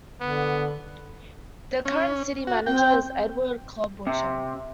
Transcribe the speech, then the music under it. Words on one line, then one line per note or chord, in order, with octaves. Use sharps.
The current city manager is Edward Klobucher.
D3 B3
C#4
F#4
C4 G5
C3